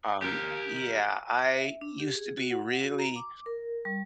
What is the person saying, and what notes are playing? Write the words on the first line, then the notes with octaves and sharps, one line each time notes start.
Um yeah, I used to be really
G4 A#4
E5
D4
G4
G#4
F#4
F#5
F#4
A#5
D6
A#4
G3